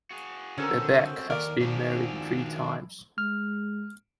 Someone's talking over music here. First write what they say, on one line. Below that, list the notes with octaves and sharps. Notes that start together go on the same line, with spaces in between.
Bebek has been married three times.
F#4 G#4
D3 C4 C#4 A4 A#4
D#2 A#4 D5
D#3 F3 D4 F#4 G#4
G#3 F6